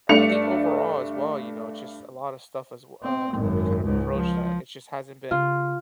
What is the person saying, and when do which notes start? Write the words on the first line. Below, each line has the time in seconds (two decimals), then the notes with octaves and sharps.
I I think overall, as well, you know, it's just a lotta stuff as w uh, that we, kind of approach that it just hasn't been
0.09 G2 A3 D4 C#7 F7
3.03 C4
3.35 G#1 F#2
3.84 C#2 G#2
4.17 F3
5.31 C#3 F4